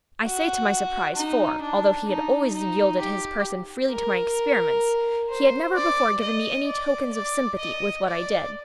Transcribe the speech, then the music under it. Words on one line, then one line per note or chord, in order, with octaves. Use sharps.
I say to my surprise, for, although he had always yielded his person freely to my experiments, he had never before given me any tokens of sympathy with what I did.
F#4
D#4
D4
D#4
D#4
G4
A#4
C5
D5
D#5
D5
D5
D#5
D5